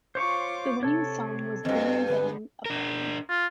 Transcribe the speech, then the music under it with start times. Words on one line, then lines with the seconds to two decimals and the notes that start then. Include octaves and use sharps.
The winning song was Boom Bang A Bang.
0.15 F4 C5 C#5 C#6 D6
0.83 C3 A4 C#5
1.65 E2 G2 C4 F#4 D#5
2.06 D3 B3 B4
2.66 D4 A#4
3.29 F4